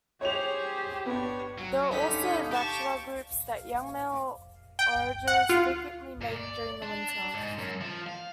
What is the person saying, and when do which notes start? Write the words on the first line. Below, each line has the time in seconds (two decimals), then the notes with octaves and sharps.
There are also "bachelor groups" that young male onagers frequently make during the winter.
0.21 G4 G#4 C5 C#5 F7
1.06 B3 D4 B4 C#5
1.59 F#3
1.92 G2 D3 C#4 D#4 B6
2.51 G4 A5 C#6
4.79 G5
5.27 F#5
5.49 F4
6.21 A#2
6.36 D5
6.82 D4
7.09 D4
7.34 G#2
7.58 F#2
7.81 F3
8.07 F5